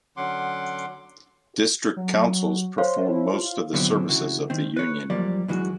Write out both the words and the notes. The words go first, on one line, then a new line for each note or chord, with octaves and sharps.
District councils perform most of the services of the union.
D3 F#3 C#4 F#5 C6 D6
F#3
C5 C#5 F5 C6
E4
F4
D#2 A2 D3 F#3 B3 C4
C#3 E3 F#4
D#3 C4
B4 C#5
F#2 F3 G3 A#3 D5
F#2 E3 G#3 F#4